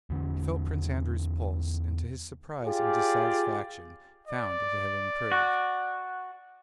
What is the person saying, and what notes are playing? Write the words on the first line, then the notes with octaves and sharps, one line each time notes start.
He felt Prince Andrew's pulse, and to his surprise and dissatisfaction found it had improved.
E2 D3 C#4
F4 G4 G#4 D5
D5
F#4